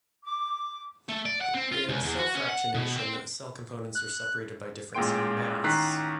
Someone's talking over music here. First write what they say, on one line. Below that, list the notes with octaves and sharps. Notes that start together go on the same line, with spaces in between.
In cell fractionation, cell components are separated by difference in mass.
D6
A3
D5
F#5
C4
F4
C#2
E2
F#4
C#4
F#5
B2
C4
F#6
A1 A#2 G#3 G5 C6 D7
A1 D#3 A#5 F#6 B6 C7